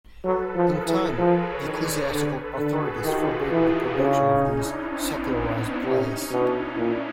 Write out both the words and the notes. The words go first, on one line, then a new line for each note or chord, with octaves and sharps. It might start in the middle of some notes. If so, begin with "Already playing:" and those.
In time the ecclesiastical authorities forbade the production of these "secularized" plays.
F#3 A4 B4
F3
G#4 A#4
E3
F3 A4 B4
B4 C#5
D#3
C5 D5
D3 B4 C#5
A4 B4
D3
F#4 G#4
D#3 F4 G4
E3 D#4 F4
C#3 D4 E4
C#4 D#4
D4 E4
C4 D4
B3 C#4
C4 D4
C3 C#4 D#4
B2 D4 E4
A#2